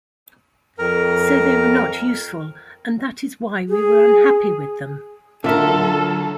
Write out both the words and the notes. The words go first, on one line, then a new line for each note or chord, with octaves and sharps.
So they were not useful and that is why we were unhappy with them.
F2 A#4
G#4
D3 F#3 F4 A4 A#4 E5